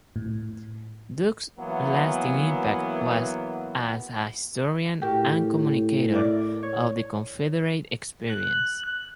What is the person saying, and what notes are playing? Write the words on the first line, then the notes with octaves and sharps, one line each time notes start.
Duke's lasting impact was as a historian and communicator of the Confederate experience.
A2
E3 F#3 A#3 B3
A2 F#4 G4 A#4
E4 A#4 D5
C#5
F#6